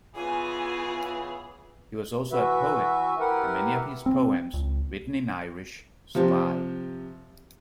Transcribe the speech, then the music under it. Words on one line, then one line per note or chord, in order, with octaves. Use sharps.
He was also a poet and many of his poems, written in Irish, survive.
C#3 E3 B3 F4 G#4 G#5
E3 F#4 B4 E5
E4 G4 A#4 B4 F#5
C4
C#2
C3 F3 G4